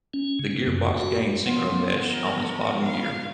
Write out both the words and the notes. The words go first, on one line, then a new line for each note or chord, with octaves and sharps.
The gearbox gained synchromesh on its bottom gear.
C#4
C#3
F#2
F#4
F3 B3 F4
A#4
F5